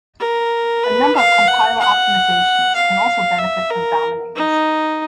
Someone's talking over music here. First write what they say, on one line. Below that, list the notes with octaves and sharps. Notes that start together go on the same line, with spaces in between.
A number of compiler optimizations can also benefit from dominators.
A#4
B4
F5
F#5
F#5
F5
E5
A#4
D#4